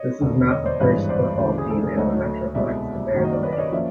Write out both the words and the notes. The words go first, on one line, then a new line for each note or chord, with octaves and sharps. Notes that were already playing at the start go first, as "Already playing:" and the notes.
This is not the first football team in the Metroplex to bear the name.
Already playing: C#5 D#5
E1 D#2 D3
C#5 D#5
C5 D5
G#1 G2 E3 G#3 B3 B4 C#5
C5 D5
D2 C#3 E3
G#4
A4
G#4 A#4
D2 D3 F#3 A3 C#5 D#5
C2 B2 G#3 D5 E5
F#1 F#2 D#3 F#3 A#3
D#5
D5
B4 C#5
D5
C#5 D#5
F3 A#3 C#4 D5 E5